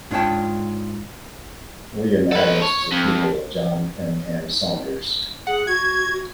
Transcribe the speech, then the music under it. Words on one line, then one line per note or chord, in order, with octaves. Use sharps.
William Adams was a pupil of John Cunningham Saunders.
G#2 D4 F4 C#5 G5 A5
A4 B4
C#5
F2
G#4 F#5
F#4 G#6